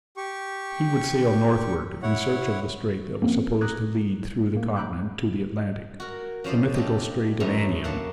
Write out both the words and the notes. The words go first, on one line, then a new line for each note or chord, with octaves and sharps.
He would sail northward in search of the strait that was supposed to lead through the continent to the Atlantic--the mythical strait of Anian.
G4 C#6
E4 C#5 F#5
F3 A#3 C4 C#4
A#5 D6 D#6 F#6 G#6 A#6
A2 A#3
A#5 B5 D6 F#6 G6
D#5
F#4 A#4
F3 C#4 C5 D5 D#5
D4 F4 G4 A4 D#5
F#2 A2 E3 D#4 C#5 A#5
A3 A#3 C#5 F#5 A5